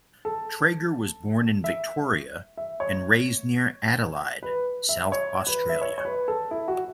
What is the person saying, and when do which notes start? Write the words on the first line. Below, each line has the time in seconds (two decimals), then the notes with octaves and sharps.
Traeger was born in Victoria, and raised near Adelaide, South Australia.
0.25 A4
1.64 E5
2.57 E5
2.80 C#5
4.43 B4
4.89 E5
5.12 C#5
5.47 B4
5.69 E5
5.81 C#5
5.98 C#5
6.05 B4
6.28 A4
6.51 E4
6.68 F#4